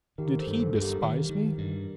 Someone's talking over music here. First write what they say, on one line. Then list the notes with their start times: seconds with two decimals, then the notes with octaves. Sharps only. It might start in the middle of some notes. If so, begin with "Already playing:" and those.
Did he despise me?
0.18 D#3 G4 A#4
0.39 A4 C5
0.47 G2
0.60 A4 C5
0.74 G2
0.81 G4 A#4
1.02 D#3
1.29 D#3
1.58 G2